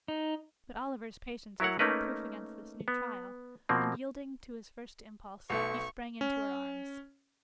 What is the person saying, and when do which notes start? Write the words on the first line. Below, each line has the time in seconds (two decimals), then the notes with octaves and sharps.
But Oliver's patience was not proof against this new trial; and yielding to his first impulse, he sprang into her arms.
0.08 D#4
1.60 F#3 E4 A#4 C#5 F#5
1.79 A3 A#3 C#4 D#4 A#4 B4
2.88 B3
3.69 B2 F3 A#3 C4
5.50 B1 A3 C#6
6.21 C#4